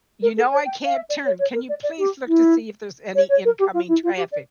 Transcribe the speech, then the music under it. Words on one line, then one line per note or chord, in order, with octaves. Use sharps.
you know I can't turn, can you please look to see if there's any incoming traffic?"
A#4
A4
C#5
G5
F5
E5
D5
C#5
C#5
A#4
D5
D5
G4
E4
C#5
C#5
A#4
G4
F4
E4
F4
G4
D5